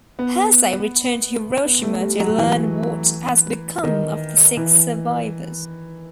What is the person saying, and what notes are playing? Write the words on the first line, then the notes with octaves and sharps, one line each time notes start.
Hersey returned to Hiroshima to learn what has become of the six survivors.
B3
B3
A3
G3
F#3
E3
D#3
E3